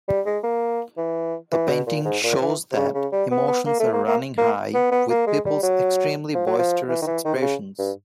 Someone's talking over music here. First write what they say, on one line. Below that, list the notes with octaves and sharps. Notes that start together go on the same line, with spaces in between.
The painting shows that emotions are running high, with people's extremely boisterous expressions.
G3
G#3
A#3
E3
E3
B2
A#2
G#2
A#2
E3
C3
C#3
C#3
G3
B3
B3
A#3
A3
A#3
A#3
A#3
B3
B3
A#3
G#3
G3
F#3
F3
F#3
F3
E3
D#3
E3
D#3
C3
C#3
G2